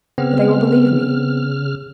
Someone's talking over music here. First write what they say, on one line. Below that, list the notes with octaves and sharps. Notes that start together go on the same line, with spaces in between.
But they will believe me.
C#3 B3 C4 F6